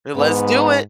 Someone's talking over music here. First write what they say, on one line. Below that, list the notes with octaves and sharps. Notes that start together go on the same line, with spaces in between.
Let's do it.
G#2 B3